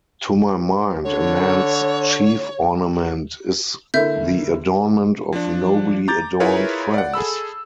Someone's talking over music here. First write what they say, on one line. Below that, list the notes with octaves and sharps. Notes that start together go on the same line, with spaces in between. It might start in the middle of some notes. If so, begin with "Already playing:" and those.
To my mind a man's chief ornament is the adornment of nobly-adorned friends.
D3 C#5
D3 A#3 E4 E5 G6
F3 D4
A#5 D6 G6 A6
E4 F4 G#4 A#4 B4 C#5
D5 F#5
G#4 A4 B5 E6